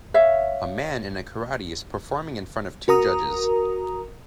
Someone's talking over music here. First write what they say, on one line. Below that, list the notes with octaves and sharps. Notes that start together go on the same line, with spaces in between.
A man in a karate is performing in front of two judges.
C#5 E5 F5
F#4 A#4 A#5 D#6